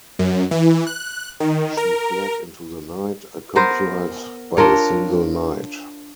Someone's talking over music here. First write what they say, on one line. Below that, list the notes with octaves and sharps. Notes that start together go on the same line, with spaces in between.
She fled into the night, accompanied by a single knight.
F#2
E3
F#6
D#3
A#4
B3 A#4 C5
D4 F4 A#4 C#5